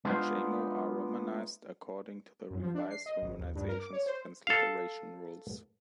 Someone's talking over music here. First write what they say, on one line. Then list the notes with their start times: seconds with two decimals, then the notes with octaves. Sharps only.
Jamo are romanized according to the Revised Romanization's transliteration rules.
0.05 G#3 B3 D4 D#4 F4 C5
2.51 F#2
2.62 F3
2.75 D4
2.91 C7
3.06 D#5
3.22 G#1
3.39 D#2
3.55 G2
3.68 A#4
3.80 D6
3.93 C#5
4.06 C5
4.47 A4 F5